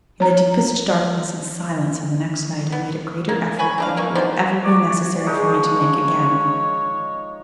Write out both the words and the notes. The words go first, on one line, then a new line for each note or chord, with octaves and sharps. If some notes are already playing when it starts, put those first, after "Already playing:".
In the deepest darkness and silence of the next night I made a greater effort than it will ever be necessary for me to make again.
C#5 A#5
B3
A#3
B4 G#5 B5 C#6
C4 D4 F5
E3 A#3 C#6
D#3 B3 C5 D5
F#4 C#5 D5
F3 G#3 D#4 C#5